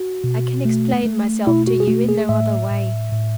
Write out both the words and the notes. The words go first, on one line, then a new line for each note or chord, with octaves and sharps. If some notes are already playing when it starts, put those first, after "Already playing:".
"I can explain myself to you in no other way."
Already playing: F#4
B2
A3
A3
B2 E4
F#4
G#4
A3 F#4
G#4
A2 E5
A2
A2